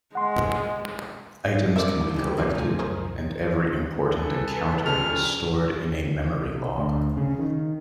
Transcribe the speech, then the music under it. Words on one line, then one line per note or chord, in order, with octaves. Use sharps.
Items can be collected and every important encounter is stored in a memory log.
G#3 F#5 C6
G3 B3 A#4 C5 D5 E5
E4
C#2 G2 C#3 G4
G3 A#3 B3 F#4
B2 D3 A3 F4 G#5
C#2 F#2 G#4 A#4 C5
G#4 A4 B4
C#3 F3 G3 F6
D2
C#3
D#3